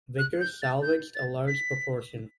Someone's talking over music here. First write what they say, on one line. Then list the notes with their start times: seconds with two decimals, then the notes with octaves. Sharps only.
Vickers salvaged a large proportion.
0.18 F#6
0.41 G6
0.62 A6
0.82 G6
1.15 A6
1.47 B6